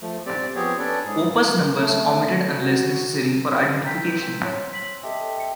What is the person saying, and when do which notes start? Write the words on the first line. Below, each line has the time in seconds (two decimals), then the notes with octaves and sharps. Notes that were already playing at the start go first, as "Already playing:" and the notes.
Opus numbers omitted unless necessary for identification.
0.01 F3 A3
0.26 C4 G4 D5
0.55 F3 B3 C4 G4 G#4 C#5
0.79 C#4 D4 A4 B4 C#5 D5
1.05 G#2 G#4
1.79 A3
2.58 F#4
3.84 C4 A#5 G6 B6
4.43 C#5
4.73 B6 F#7
5.03 G4 A4 D#5 E5
5.36 E5 C#7